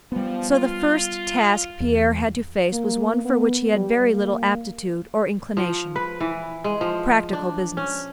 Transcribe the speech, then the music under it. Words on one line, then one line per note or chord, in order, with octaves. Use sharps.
So the first task Pierre had to face was one for which he had very little aptitude or inclination--practical business.
F3 G3 B3
F4
E2
A#3
B3
G3
A#3
F3
B4
E3
G#3
F3
D4
C#4